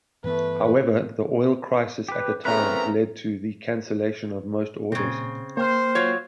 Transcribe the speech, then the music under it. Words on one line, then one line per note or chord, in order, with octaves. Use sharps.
However, the oil crisis at the time led to the cancellation of most orders.
G2 E3 A3 B3 B4
G4 B4
E2 C#3 A3 C4 A#4 B4 A#5
A#2 C#3 C4
A#3 C5 G5 F6
F#3 F4 C#5